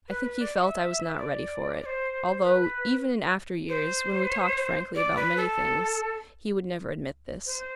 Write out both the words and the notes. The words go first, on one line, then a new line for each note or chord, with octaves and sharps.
I think he felt I was not ready for it, although even in after years, when we talked frankly about many things, he would never admit this.
B4
B4
D5
F#5
E5
D5
D5
C5
B4
C5
D5
B4
A4
C5